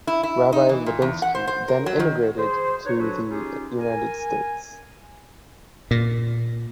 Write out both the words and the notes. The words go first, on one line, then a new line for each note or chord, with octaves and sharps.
Rabbi Lubinsky then emigrated to the United States.
E4
E4
D#4
E3
A#2
E2
F#5
C5
C5
A#4
F#3
D#3
G#4 C5
D#4 B4 C#5
F#3 D4 F#4 A4 B4
C#4 D#4 F4 G4 G#4
A#4 G#5
A#2